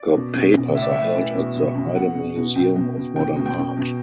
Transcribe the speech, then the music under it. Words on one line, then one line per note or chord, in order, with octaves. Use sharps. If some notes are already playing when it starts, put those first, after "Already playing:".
Her papers are held at the Heide Museum of Modern Art.
Already playing: D5
B2
B2
B2
A2 E5
D5
E5
A2
E3
B2
B2
B2
B2 F#5
B2
B2
B2 G5
B2
B2
B2 G5
B2
G5
B2
B2